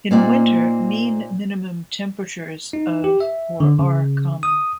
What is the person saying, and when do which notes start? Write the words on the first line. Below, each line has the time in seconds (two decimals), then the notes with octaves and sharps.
In winter mean minimum temperatures of or are common.
0.11 A#2 A#3 C4 D#4 D5 G5
2.73 D#4
3.04 G4
3.20 E5
3.60 D3
3.79 C#3
4.43 D#6